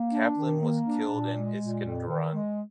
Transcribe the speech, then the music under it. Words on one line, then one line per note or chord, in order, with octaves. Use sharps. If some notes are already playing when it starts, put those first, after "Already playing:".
Kaplan was killed in Iskenderun.
Already playing: A#3
D4
D#3
A#3
D4
A#2
G#3
A#2
F2
D#3
G#3